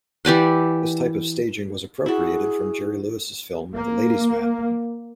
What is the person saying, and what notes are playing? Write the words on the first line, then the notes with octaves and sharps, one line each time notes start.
This type of staging was appropriated from Jerry Lewis's film "The Ladies Man".
E3 G4 D5 F#5
E4 F#4 G#4
A#3